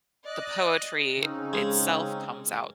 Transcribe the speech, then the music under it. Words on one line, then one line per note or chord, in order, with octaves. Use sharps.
the poetry itself comes out
D5 D#5 F#6
C#3 C4 C#4 D#4
G#3